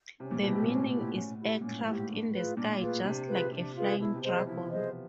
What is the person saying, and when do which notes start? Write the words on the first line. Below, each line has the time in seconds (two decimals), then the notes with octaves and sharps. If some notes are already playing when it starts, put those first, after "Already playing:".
The meaning is aircraft in the sky just like a flying dragon.
0.19 C3 C#4
0.31 A#2
0.42 B2 E4 G4
0.54 A2
0.65 A#2 C#4
0.75 A2
0.91 E4 G4
1.14 C#4
1.38 E4 G4
1.61 A#2 C#4
1.70 A2
1.78 G#2
1.85 A2 E4 G4
2.09 D4
2.32 F4 G#4 B4
2.57 A#2 D4
2.80 F4 G#4 B4
3.04 C3 D4
3.28 F4 G#4 B4
3.52 C3 D4
3.75 F4 G#4 B4
3.99 B2 E4
4.15 C3
4.22 G#4 C5 D#5
4.31 E3
4.46 F3 E4
4.70 G#4 C5 D#5